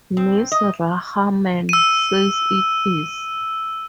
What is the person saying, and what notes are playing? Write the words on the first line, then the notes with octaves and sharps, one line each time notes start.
Mrs. Rahman says it is.
C4
D#5
E6 D#7